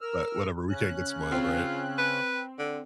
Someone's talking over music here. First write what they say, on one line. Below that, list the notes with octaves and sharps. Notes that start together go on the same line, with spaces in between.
But whatever, we can't get spoiled, right?
A#4 E6 F6
C#3 C#4 F#6
C4 F4
B4
D3